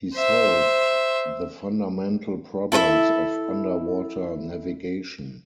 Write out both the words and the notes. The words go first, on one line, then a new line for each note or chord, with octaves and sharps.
He solved the fundamental problems of underwater navigation.
C5 E5
E4 A4 B4 E5